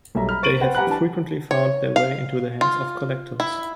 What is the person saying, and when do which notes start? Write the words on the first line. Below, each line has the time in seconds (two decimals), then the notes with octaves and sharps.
They have frequently found their way into the hands of collectors.
0.15 B1 G3 E5 A#5
0.29 A#5 B5 F6
0.42 C5 C#6 A6 D7 D#7 F#7
0.61 B4 C5 F#5 G5
0.75 G4 F#5 G#5 A#5 B5 F#6
0.87 E3 D4 A5
1.51 C#5
1.96 F5
2.61 F4
3.40 E4